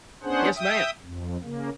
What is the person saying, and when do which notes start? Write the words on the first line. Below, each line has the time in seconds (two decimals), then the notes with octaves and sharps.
Yes, ma'am.
0.23 B3 C#4 D4 G#4 C5 F#5
0.56 E5 G5 D#6
1.03 F2
1.43 C#3 A#3